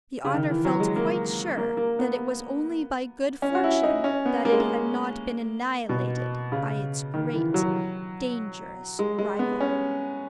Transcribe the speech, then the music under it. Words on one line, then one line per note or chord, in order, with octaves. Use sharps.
The otter felt quite sure that it was only by good fortune that it had not been annihilated by its great, dangerous rival.
C#3
D#3
E3
F#3
G#3
A#3
A#3
A#3
B3
C#4
F#4
E4
D#4
C#4
B3
A#3
G#3
A#3
B2
C#3
D#3
E3
F#3
G#3
G#3
B3
C#4